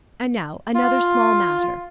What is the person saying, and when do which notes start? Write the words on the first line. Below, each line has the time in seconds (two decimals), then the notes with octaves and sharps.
And now, another small matter.
0.75 F4